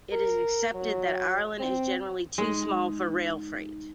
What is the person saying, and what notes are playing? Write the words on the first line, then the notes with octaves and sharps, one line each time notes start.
It is accepted that Ireland is generally too small for rail freight.
A#4
F#3
C4
G#3 D#4